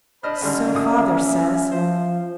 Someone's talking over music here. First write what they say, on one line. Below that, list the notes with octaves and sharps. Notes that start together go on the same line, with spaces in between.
'So father says.
D4 C5 D#5 B5 F6
G#1 D3 G3 C#4 D#5
A#2 D3 E5 D#6
F3 C5